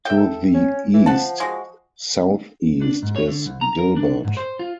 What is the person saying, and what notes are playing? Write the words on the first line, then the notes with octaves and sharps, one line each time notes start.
To the east-southeast is Gilbert.
E5 G5
A4
C#4
E3
F3 F#5 A5
G#3 F#4
D4
G#2
C#5
D3
C2
A#5
A#4
D4
G#2
C5
F4